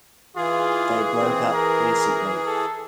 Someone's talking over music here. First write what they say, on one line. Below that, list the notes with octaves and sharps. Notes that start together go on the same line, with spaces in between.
They broke up recently.
E3 F4 G#4
C4
A#4
A4